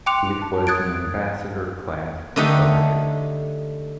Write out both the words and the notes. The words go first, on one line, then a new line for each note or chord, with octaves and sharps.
It was an "Ambassador"-class starship.
G5 C6 D6 F#6 C#7 F7
A5
D#6 F#6 G#6 A6 D7
D3 A3 D#4 G4 A4